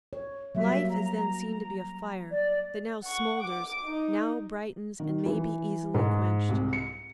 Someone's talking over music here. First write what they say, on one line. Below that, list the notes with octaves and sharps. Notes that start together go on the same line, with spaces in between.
Life is then seen to be a fire, that now smoulders, now brightens, and may be easily quenched.
C#5
F#3 G3 A#3 E5
A#5
D5
F#5 C#6
D6
D#4
D#3
E3
G#2
C2
C#7